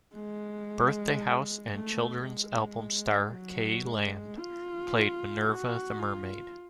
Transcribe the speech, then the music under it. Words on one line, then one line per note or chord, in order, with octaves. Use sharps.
"Birthday House" and children's album star Kay Lande played Minerva the Mermaid.
G#3
A3
G#3
F#3
G#3
F4
F#4
F4